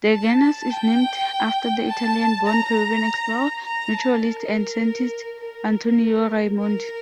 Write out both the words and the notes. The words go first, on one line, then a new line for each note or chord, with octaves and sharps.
The genus is named after the Italian-born Peruvian explorer, naturalist, and scientist, Antonio Raimondi.
A5
A5
G5
A5
A#5
A#5
A5
A#4
A#4
A#4